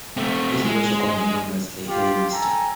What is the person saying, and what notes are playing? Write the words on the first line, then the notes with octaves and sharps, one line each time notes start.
This is also commonly known as a "Hey Mister".
A3 C4
G#3
F4 G4
A4 G5 G#5 A#5